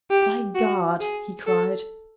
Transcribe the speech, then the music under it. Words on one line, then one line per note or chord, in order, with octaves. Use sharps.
"By God!" he cried.
G4
F#4
G#4
A4